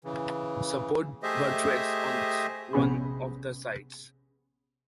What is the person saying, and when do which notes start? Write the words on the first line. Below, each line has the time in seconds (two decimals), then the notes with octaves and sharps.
Support buttress on one of the sides.
0.04 C#3 E3
1.23 A3 G4 G#4 C5 D#5 E5
2.73 A#1 C3 B3 C#4 G#4 B5